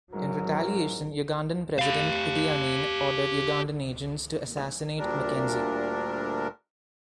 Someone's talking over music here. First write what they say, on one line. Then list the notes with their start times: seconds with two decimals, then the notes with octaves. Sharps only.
In retaliation, Ugandan President Idi Amin ordered Ugandan agents to assassinate McKenzie.
0.13 A1 G#2 F#3 A#4
1.79 G4 F5
4.98 D2 A#2 G3 D4 A#4